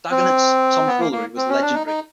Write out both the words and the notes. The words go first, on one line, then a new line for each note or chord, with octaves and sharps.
Dagonet's tom-foolery was legendary.
C4
B3
A#3
A#3
C4
C#4
D4
D#4
D#4